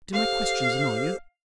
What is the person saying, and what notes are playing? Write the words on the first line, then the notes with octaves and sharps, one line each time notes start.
"Do my questions annoy you?"
G4 A4 C5 F5